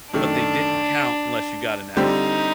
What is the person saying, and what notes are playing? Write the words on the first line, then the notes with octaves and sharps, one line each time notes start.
but they didn't count unless you got an F.
F#2 D#3 A3 D4
D3 G3 C4 D#4 G4 C5